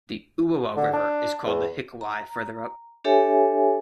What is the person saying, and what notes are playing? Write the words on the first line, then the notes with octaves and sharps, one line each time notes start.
The Uawa River is called the Hikuwai further up.
D3
D4
E2
A#5
D4 G4 A4 C#5 E5 G#5